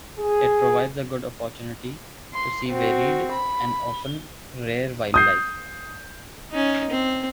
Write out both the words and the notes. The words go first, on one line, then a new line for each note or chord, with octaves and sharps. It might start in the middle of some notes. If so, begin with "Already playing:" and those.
It provides a good opportunity to see varied and often rare wildlife.
G#4
C6
C4 F#4
B5
D#6 G6 C7
C#4 D#4
C4